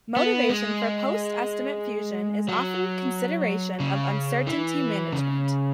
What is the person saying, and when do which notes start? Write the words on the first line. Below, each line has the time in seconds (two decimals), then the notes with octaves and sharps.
Motivation for post-estimate fusion is often consideration of uncertainty management.
0.17 B3
0.50 G#3
2.49 F#3
3.80 C#3
4.47 E3
5.12 C#3